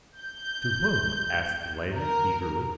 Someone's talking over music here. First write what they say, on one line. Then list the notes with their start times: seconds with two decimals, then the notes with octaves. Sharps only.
"To whom?" asked the lady, eagerly.
0.20 G6
1.95 A#4